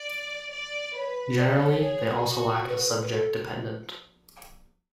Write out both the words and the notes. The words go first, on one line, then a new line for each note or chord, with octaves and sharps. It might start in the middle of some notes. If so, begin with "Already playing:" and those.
Generally, they also lack a subject dependent.
Already playing: D5
D5
B4 C#5
A4 D5
D5
C#5
C#5
G#4 C#5
F#4
B4
B4
A4
B4
A4